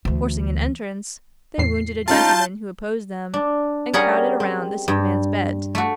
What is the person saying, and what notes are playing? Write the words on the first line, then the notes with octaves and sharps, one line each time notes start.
Forcing an entrance, they wounded a gentleman who opposed them, and crowded around the sick man's bed.
D2 E3
E2 A2 C7
G3 C#4 D#4 F4 A5 G6
D4
G3 C#4 G#4 A#4 F#5
C4
G2
A3 F#4